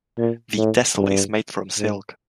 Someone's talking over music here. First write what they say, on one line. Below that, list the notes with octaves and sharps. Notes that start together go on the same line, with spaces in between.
The tassel is made from silk.
A#2
A2
G2
G#2